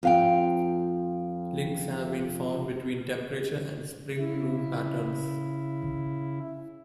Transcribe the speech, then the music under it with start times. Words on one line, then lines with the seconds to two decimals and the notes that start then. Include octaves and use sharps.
Links have been found between temperature and spring bloom patterns.
0.03 F2 F5 G5
4.18 C#3 E4